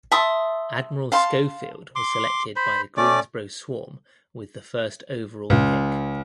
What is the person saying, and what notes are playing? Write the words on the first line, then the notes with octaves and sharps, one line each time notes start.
Admiral Schofield was selected by the Greensboro Swarm with the first overall pick.
E5 A5 C6 D#6
F5 A5 C6
C6 D6
C5 B5
A3 C#4 D5 D6
C#2 G2 A#2